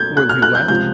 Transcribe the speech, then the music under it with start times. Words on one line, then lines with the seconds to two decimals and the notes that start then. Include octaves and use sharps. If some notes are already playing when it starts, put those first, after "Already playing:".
Will he laugh?
Already playing: B2 G6 G#6
0.17 F#6
0.29 F6
0.42 F#6
0.55 G6
0.68 C#2 C3 F3 G6